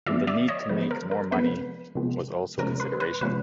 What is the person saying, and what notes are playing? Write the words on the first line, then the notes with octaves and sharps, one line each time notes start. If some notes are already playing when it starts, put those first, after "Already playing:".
The need to make more money was also a consideration.
D3 F3 G#3 B3 D5 E5
D5 E5
C#5 D#5
D3 F3 G#3 B3 B4
A#4
A#4
C3 F3 G#3 B3 B4
C3 F3 G#3 B3
C3 F3 G#3 C#4 A#4
B4
B4
C3 F3 G#3 C#4 B4